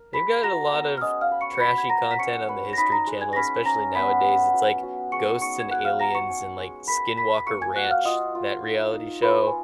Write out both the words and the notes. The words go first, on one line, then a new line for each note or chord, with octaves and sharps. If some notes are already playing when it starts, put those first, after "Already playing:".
They've got a lot of trashy content on the History Channel, especially nowadays. It's, like, ghosts and aliens and, like, Skinwalker Ranch, that reality show,
Already playing: A#4
G#3 B5 B6
F#4 A#5 A#6
B3
F6
C#4 D#5 D#6
F5 F6
B4
C#6 C#7
C#7
F#4 B5 B6
G#6
C#5 A#5 A#6
B6
C#4 C#6 C#7
B4
A#6
D#4 B5 B6
A#5 A#6
G#3
G#5 G#6
A#6
C#4 B5 B6
C#4 A#5 A#6
B3 B5 B6
B3
F#3
F#3
G#3 C#6 C#7
D#4 C#6 C#7
G#6
F#4 F#5 F#6
F5 F6
C#4 A#5 A#6
C#6 C#7
C#4
G#3
A#4 B5 B6
A#4 B5 B6
A#3 C#6 C#7
G#5 G#6
F#4 F#5 F#6
F5 F6
F4 D#5 D#6
F4
D#4
D#4
F4 B4 B5
G#5